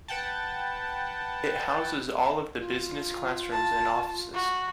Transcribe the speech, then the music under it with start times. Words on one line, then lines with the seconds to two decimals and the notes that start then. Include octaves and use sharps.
It houses all of the business classrooms and offices.
0.08 B4 F#5 G5 A5
2.59 F4
3.52 A5
4.34 F#4